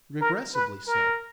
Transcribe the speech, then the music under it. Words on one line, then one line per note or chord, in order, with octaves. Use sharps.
Repressively so.
A#4
B4
A#4